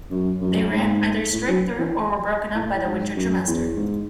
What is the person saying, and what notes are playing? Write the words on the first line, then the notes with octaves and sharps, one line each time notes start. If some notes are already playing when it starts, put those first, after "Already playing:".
They ran either straight through or were broken up by the winter trimester.
F#2
F#2
G#2
A2
F#3
E3
A2
G#2
F#2
E2
G#2